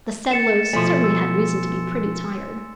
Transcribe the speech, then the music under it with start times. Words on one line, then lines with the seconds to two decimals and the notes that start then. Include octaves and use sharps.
The settlers certainly had reason to be pretty tired.
0.31 A6 C#7 E7
0.73 B2 F3 A3 G#5 C6
1.04 E6